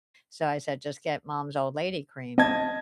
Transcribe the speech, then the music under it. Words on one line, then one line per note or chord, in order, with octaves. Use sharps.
So, I said, "Just get mom's old lady cream,"
C4 D#5 A5 G#6